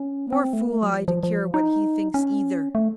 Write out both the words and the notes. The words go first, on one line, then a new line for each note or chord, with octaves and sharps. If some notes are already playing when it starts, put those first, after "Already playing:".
More fool I to care what he thinks either!
Already playing: C#4
C4
A3
A#3
A3
F#3
F3
F3
F3
D#4
C#4
A3